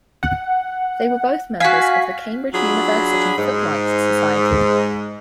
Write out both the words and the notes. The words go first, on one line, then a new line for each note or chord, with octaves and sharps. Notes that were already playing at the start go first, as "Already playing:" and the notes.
They were both members of the Cambridge University Footlights society.
F#5
F#4 F5 G#5 B6
F#3 D4 F4 G#4 B5
G#2